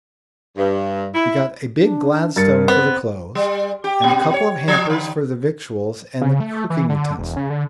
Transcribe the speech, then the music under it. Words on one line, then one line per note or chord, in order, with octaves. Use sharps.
We got a big Gladstone for the clothes, and a couple of hampers for the victuals and the cooking utensils.
G2
E4
D4
G2 A#4 A6 C#7
B3 C4
G3
G4
B2
C#5
F3
D3
C#3
A3
E3
D3
E1
C#3
D3